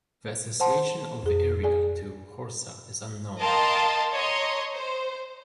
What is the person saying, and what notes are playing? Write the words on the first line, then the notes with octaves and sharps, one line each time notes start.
The association of the area to Horsa is unknown.
C5 F#5 A5 C6
F2 G#4
G#4 D5 G#5
A#4 D#5 F5 G5 A5 C6
C#5 D#5 A#5 C6
C5